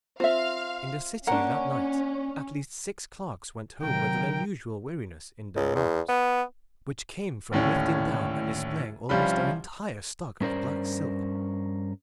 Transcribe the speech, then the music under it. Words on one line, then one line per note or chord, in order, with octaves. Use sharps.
In the city that night at least six clerks went home with an unusual weariness in their arms, which came from lifting down and displaying almost their entire stock of black silk.
C4 F4 E5 F5
A#3 C#4 D4 F#5
C3 D#3 F#3 A#4 G5
C#2
E2
B3
D1 D#2 A2 D3 C#4
C2 F3 G3 C#4 F4 B5
G2 C#4 A#4 C5 D5